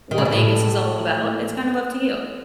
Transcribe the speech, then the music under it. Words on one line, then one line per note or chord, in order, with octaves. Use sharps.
what Vegas is all about, it's kind of up to you.
D#3
C#3
B2
A2